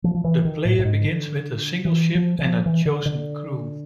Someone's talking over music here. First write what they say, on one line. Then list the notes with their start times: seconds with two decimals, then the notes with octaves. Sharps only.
The player begins with a single ship and a chosen crew.
0.04 F3
0.14 F3
0.24 E3
0.45 D#3
0.65 A2
0.79 A2
0.85 G#2
1.04 D3
1.85 E3
2.15 F3
2.39 E3
2.45 F3
2.66 E3
2.85 D3
3.06 D3